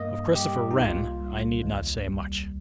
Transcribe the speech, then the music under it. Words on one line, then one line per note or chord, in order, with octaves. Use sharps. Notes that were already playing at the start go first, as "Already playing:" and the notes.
Of Christopher Wren I need not say much.
Already playing: G2 A#3 D#5
G3 G4
D#4
C2 F4
C2
D#2
G3